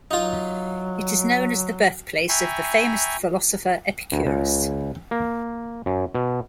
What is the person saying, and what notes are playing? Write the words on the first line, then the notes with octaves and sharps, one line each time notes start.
It is known as the birthplace of the famous philosopher Epicurus.
F#3 D#4 F4
E5 G5 G#5 A#5 B5 C#6
D2
C#2
A#3
F#2
B2